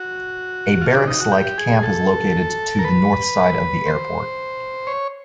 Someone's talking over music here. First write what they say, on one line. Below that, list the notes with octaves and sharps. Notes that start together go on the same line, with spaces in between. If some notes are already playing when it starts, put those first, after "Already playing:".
A barracks-like camp is located to the north side of the airport.
Already playing: F#4
F4
D4
D#4
F#4
G4
G#4
A4
A#4
B4
C5
C#5